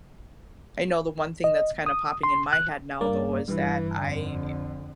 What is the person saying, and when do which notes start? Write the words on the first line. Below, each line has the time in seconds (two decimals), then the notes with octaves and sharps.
I know the one thing that's kinda popping in my head now, though, is that I,
1.44 D#5
1.86 D#6
2.23 C6
2.53 F#6
3.01 G2 A#3 D5
3.48 G2 E3
4.00 F2 D3